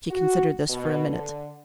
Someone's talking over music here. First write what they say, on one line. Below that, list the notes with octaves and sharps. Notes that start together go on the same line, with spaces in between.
She considered this for a minute.
F#4
B2
D3